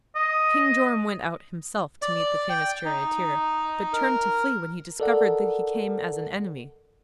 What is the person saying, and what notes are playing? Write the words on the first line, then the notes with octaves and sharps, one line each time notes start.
King Joram went out himself to meet the famous charioteer, but turned to flee when he discovered that he came as an enemy.
D#5
D5
G5
D#4
A#4
A4 A#4 D5 D#5 F#5